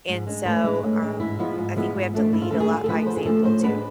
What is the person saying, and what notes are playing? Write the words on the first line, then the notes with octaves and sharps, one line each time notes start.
and so, um, I think we have to lead a lot by example too
G#2
G#3 D4
A2 B4
G#3 D4
A2
G#3 D4
G#2 E4
F3 G#3 B3 E4 F4
G#2
F3 G#3 B3 E4
G#2
E3 A3 D4
G#2 E4
F4
E3 A3 D4 A4
G#4
D3 F4
A4
F3 A3 D4 B4
D3 C5
G#4
F3 A3 D4 A4
A2 C5
G#3 B3 D4 B4